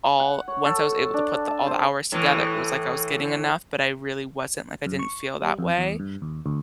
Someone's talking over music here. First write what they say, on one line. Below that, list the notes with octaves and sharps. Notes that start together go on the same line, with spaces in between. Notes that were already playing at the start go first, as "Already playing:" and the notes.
all once I was able to put the all the hours together, it was like I was getting enough, but I really wasn't, like, I didn't feel that way.
F#5
C#5
A4
D4
A5
C5
A2 E3
F#2
C#6
G3
F2
E2
G2
D#2
D2